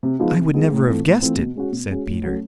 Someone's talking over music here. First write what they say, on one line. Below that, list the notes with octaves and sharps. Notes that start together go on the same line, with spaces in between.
"I would never have guessed it," said Peter.
C3
F3 G#3 B3 D#4
C3
F3 G#3 B3 D#4
A2
E3 A3 C4 F4
A2
E3 A3 C4 F4
B2
G#3 C#4 F#4
B2
G#3 C#4 F#4
A2
F#3 A3 C#4